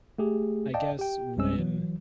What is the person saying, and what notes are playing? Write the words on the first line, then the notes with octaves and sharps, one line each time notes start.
I guess when,
A3 G4 G#4
D5 D#5 F5 G5 A5
G4 G5
A#1 F#2 G3 G#3 C#4 E6
E3 F#3